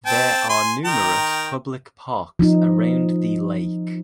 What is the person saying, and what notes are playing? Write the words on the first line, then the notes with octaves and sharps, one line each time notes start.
There are numerous public parks around the lake.
C4 G5 A5
G#5 C6
D#3 G5 A#5
F3 D#4